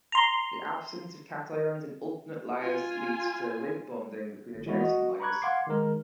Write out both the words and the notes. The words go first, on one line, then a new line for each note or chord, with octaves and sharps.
The absence of cations in alternate layers leads to weak bonding between adjacent layers.
A#5 C6
F4 G#5
G1
E3 G#3 B3 E4 F#4
F#4 D#5
A#5 B5 C#6 D6 F#6 G#6
F5 F#5 C6 D6 G#6 C7
D#3 G#3 A#4